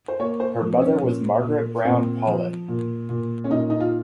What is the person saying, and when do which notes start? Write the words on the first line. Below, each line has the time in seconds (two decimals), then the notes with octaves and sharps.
Her mother was Margaret Brown Paulin.
0.08 C5
0.20 A#3 C#5
0.40 C5
0.61 F3
0.77 C4
0.81 C#4
1.02 A#2
1.44 A#2
1.85 A#2 C4
2.27 F3
2.68 A#2
3.09 A#2
3.44 C#4
3.50 A#2 D#4
3.70 D#4
3.80 F4